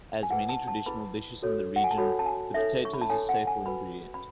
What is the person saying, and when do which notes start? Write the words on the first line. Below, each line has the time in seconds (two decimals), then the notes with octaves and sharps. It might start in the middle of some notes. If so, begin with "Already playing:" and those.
As many traditional dishes in the region the potato is a staple ingredient.
0.23 G#5
0.30 E4 G#4 B4 F#5
0.49 A5
0.68 A5
0.86 E4 G#4 B4 B5
1.42 F#4 A4 C#5
1.76 F#5
1.84 G#5
1.91 A5
1.98 F#4 A4 C#5 B5
2.19 A5
2.26 G#5
2.54 D#4 A4 C#5 E5
2.85 C#6
2.93 B5
3.01 A5
3.10 D#4 A4 C#5 G#5
3.29 F#5
3.47 G#5
3.66 F#4 B4 B5
4.14 B5